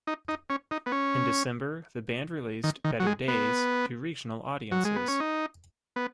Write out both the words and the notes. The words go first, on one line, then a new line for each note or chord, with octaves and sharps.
In December the band released "Better Days" to regional audiences.
D#4
D#4
C#4
D#4
B3
C#4
D#3
D#3
F#3
G#3
B3
F#3
G#3
B3
C#4
D#4
B3